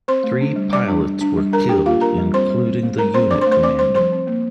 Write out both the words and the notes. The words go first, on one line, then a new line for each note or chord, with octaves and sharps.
Three pilots were killed, including the unit commander.
C4 C5 C6
A3
D4
G3
G3 D5 D6
D4
G3
D4
G3
D4 A#4 A#5
D4 G4 G5
A#3 F4 F5
D4 A#4 A#5
G3
C4 C5 C6
G3
C4
A3
G3 A#4 A#5
C4 C5 C6
D4 D5 D6
C5 C6
A3
C5 C6
C4 D5 D6
G3 C5 C6
F3 C5 C6
C4
A#3